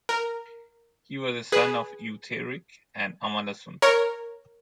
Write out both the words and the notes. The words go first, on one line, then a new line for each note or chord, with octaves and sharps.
He was a son of Eutharic and Amalasuntha.
A#4
G#4 B4
A#4 C#5